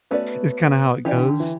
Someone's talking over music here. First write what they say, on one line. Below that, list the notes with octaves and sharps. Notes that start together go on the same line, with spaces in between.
is kinda how it goes
A3 B3 C#4 F#4 B4 D5
E3 C#4 G4 D5
D3
D3
E3